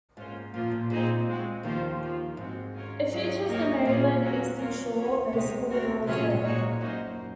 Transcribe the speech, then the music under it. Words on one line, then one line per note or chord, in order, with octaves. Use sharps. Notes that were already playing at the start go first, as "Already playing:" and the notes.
It features the Maryland Eastern Shore Baseball Hall of Fame.
G#2 A#3 C#4 F4 C5
A#2 F3 A#3 F4
A#2
A#2 C4 D#4 G#4 C5
G#3 C4 F#4
D#2 D#3 F3 A#3 F4 C5
F3 A#3 F4
G#2 G#3 C4 F#4
C#4 F4 A#4 C#5
F#3 C#4 G#4 C#5
A#3 D#4 A#4 C#5
A#2 A#3 F4 G#4
F#3 C#4 F#4 A#4
A#3 F4 A#4 C#5
A#3 C#4 G#4 C#5
C3 G#3 D#4 G#4 C#5
C4 F#4 A#4 C#5
C3 F#3 C#4 F4 G#4 C#5
A#2
G#2
A#2 G#3 D#4 F#4 C#5
F#2 A#3 D#4 F#4 C5